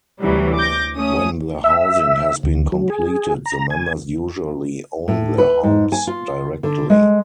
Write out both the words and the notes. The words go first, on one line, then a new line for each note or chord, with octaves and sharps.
When the housing has been completed the members usually own their homes directly.
D2 C3 E3 F#3 G3
D6 G6 A#6
A3 C#4 D#6
E5
D2
F#3
G#4
A#5
G#5
A2
B4
G#2
G#5
F4
D3
G#3